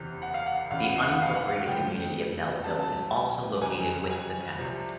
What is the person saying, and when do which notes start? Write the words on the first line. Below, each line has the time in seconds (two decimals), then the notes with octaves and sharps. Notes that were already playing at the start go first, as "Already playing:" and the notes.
The unincorporated community of Knellsville is also located with the town.
Already playing: F#1 E2 C3
0.22 F#5
0.34 F5
0.46 F#5
0.71 F#1 E2 C#3 F5
0.83 F#5
0.96 F5
1.09 F#5
1.22 F5
1.35 F#5
1.48 F5
1.68 D2 C#3 F3 G5
2.64 C#2 C#3 F#3 A5
2.79 A5
3.61 F2 C#3 F#3 G#5
4.10 G#5
4.59 C2 C3 F3